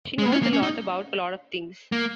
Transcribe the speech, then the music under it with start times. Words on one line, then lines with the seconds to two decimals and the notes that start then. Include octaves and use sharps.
She knows a lot about a lot of things.
0.18 G#3
0.26 A#3
0.32 C#4
0.43 A#3
0.53 C#4
0.63 D#4
1.92 A#3